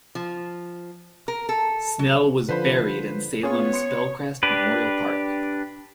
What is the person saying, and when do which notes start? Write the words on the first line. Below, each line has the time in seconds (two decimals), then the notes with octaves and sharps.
Snell was buried in Salem's Belcrest Memorial Park.
0.15 F3
1.28 A#4
1.49 A4
1.99 F#3
2.49 D3 F3 B4 C5 B5
3.43 B3 C#4 F4 G#4 C#5
3.74 C6 C#7
4.43 D4 G4 B4